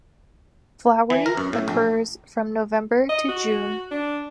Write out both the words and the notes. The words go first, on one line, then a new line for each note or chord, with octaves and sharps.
Flowering occurs from November to June.
E3
A#4
F#2
A2
A#1
D#5
F#4
D4